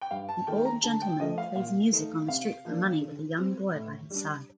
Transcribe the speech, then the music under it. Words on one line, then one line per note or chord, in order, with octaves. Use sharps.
An old gentleman plays music on the street for money with a young boy by his side.
G5
G2 F5
A5
D#3 A3 G5
A#5
D3 A5
G5
F3 A3 D#5
F5
A#2 F5
A3 D#4
C3 F5
F3 A#3 D4
D3
G3 C4
A2
G3 D4